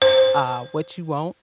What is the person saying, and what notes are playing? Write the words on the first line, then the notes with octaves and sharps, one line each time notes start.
uh, what you want,
C5